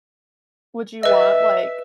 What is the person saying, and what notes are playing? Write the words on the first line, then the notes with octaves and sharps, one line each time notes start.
Would you want, like,
B4 D#5 E5